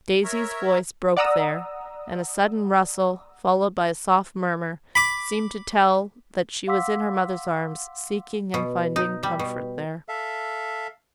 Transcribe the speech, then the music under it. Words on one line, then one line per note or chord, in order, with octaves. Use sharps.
Daisy's voice broke there; and a sudden rustle, followed by a soft murmur, seemed to tell that she was in her mother's arms, seeking and finding comfort there.
A#4 C#5 E5 A#5
D5 F#5 A#5 D#6 E6
B5 D6
F5 F#5 C6 D6 E6 B6
B2
D#4
G3
B2
A4 E5 F5